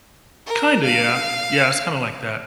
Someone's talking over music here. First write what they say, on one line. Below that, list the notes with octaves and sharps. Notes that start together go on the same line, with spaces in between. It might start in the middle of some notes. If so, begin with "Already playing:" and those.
Kinda, yeah. Yeah, it's kinda like that,
A#4
F5